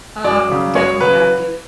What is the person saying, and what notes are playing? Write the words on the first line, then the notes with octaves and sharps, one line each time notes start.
Uh, definitely active.
F#2 D5
C#3 F#3
F#2 C#5
C#3 F#3 B4